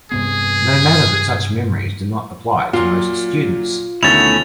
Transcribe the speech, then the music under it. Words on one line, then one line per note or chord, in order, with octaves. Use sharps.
No matter that such memories do not apply to most students.
G2 C3 B3 G#4
A#2 F#3 F4
D2 B2 D#3 A3 C#4 E4 A6 F7